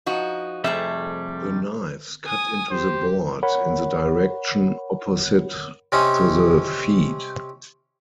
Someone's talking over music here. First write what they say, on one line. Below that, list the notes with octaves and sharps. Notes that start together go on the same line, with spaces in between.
The knives cut into the board in the direction opposite to the feed.
F3 D#4 F#4
F2 C3 G3 A3 G#4 E5
G#5 D#6
G4 C5
A#4 C#5 F#5 B5
C3 C#4 D#4